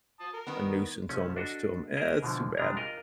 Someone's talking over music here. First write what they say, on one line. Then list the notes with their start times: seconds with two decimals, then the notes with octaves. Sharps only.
a nuisance almost to him. Eh, that’s too bad.
0.20 A5 D#6
0.33 A#4
0.47 D#3 G3 B3
1.09 C2 F3 A3 C#4
1.36 D4 F#4 A4 D#5
1.97 G#4 A#4 C5 D#5 E5
2.23 B2 D3 E3 F3 A3
2.58 F#2 C3 G3 G#3 D4 A#5
2.76 F4 A#4 D#5